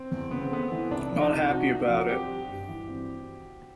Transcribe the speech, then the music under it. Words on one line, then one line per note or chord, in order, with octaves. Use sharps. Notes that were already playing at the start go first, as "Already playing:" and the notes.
Not happy about it.
Already playing: C4
E2
C#3 B3
C4
A3 B3
E3
C2 D4
F3
D#4
C2
C3 F#4
C2
F#4
F3
C4 G4
G3
G2
E3
C4